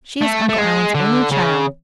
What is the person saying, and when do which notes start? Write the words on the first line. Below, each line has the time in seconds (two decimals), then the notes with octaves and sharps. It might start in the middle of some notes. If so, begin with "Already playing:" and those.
She is Uncle Allan's only child.
0.21 A3
0.49 A3
0.58 G#3
0.94 D3
1.32 C#3